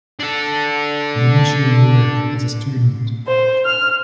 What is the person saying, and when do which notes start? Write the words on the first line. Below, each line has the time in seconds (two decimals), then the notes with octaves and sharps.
He did missionary work as a student.
0.19 D4 A4
3.27 C5
3.65 F6